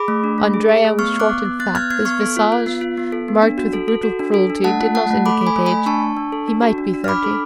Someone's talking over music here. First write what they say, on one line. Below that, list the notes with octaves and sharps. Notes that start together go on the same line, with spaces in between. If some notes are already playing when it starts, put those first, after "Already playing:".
Andrea was short and fat; his visage, marked with brutal cruelty, did not indicate age; he might be thirty.
Already playing: G#4 B5 D6
A3
D4
A3
G#4
G#4
A3
B3 C#6 F6
B3
D6 F#6
B3
B3
B3 F#6 A6
B3 F6 G#6
B3 F6 G#6
B3 C#6 F6
A4
F4
F4
B3
F4
B3
A4
B3
D4
F#4
A4
A4
F#4
D4
A4
D4
A3 F#5 A5
F4
A3 F#5 A5
A3
A4 B5 D6
A4
G#5 B5
A3
G#5 B5
A3
D4 A5 C#6
D4
D4
A4
D4
F#4
D4
D4
F6
D4 B5 D6
A4